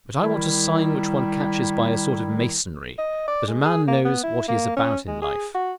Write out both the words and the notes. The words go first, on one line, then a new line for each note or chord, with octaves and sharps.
But I want a sign which one catches by a sort of masonry, that a man knows what he is about in life.
D#3 G3 E4
D#5
D5
G#3
G#4
A#3
B3
E4
A#3
C#4
G#3
G#4
F#4